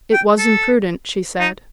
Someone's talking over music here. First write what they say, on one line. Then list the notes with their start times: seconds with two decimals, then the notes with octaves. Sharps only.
"It was imprudent," she said.
0.13 G5
0.38 A4
1.40 D#4